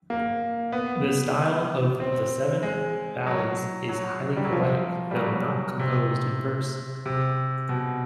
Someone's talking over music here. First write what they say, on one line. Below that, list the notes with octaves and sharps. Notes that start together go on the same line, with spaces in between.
The style of "The Seven Valleys" is highly poetic, though not composed in verse.
A#3
B3
C4
G#3
F#3
F#3
G3
F#3
F3
G3
F#3
C3
C3
B2